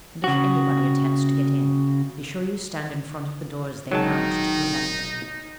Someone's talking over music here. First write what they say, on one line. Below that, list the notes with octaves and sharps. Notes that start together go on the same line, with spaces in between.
And if anybody attempts to get in, be sure you stand in front of the door as they mount to prevent them.'
C#3 F#4
D#1 D#3 F#3 G#3 D#4 A5